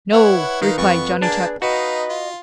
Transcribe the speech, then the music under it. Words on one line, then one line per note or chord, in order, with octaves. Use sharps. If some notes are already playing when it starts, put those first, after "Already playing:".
"No," replied Johnny Chuck.
E4 B4 C#5 F#5
D#3 D#4 F5
F2 B3 C#6
A#3 D4 G#4 A5
D#4 F#4 B4 D#5 F5
F4